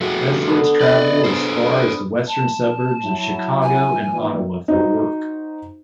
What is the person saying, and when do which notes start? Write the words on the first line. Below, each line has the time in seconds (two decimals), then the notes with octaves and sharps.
Residents travel as far as the western suburbs of Chicago and Ottawa for work.
0.01 A3 F#4 G#4
0.48 D3 B3 D4
0.81 B3 D5 D#5
1.24 G#4 A4 C5
2.28 A5
3.03 F#3 E4
3.63 G#5
4.11 A#2 D#3 E3
4.68 D#4 F#4 C5